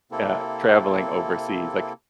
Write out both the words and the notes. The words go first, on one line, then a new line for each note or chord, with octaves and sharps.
Yeah, traveling overseas, like
C3 A#3 C4 E4 A4